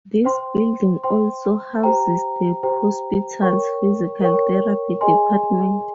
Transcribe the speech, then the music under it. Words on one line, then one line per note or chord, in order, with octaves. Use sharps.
This building also houses the hospital's physical therapy department.
C5 G5 C6
C5 G5 C6
G4 C5 G5 A#5
G4 C5 G5 A#5
A#4 C#5 G5 C#6
A#4 C#5 G5 C#6
G#4 D#5 G#5 C6